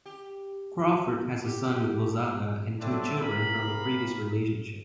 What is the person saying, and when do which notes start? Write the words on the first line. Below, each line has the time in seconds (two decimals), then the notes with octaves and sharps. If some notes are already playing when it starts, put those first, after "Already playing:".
Crawford has a son with Lozada and two children from a previous relationship.
0.06 G4
1.43 G4
2.80 F#3 G3 A3 C4 D4 E4
3.21 C3 G4 A#4 F5 A#5 B5